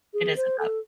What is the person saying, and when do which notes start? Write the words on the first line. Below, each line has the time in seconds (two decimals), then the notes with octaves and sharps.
It is a job.
0.14 G#4
0.36 C5
0.59 A4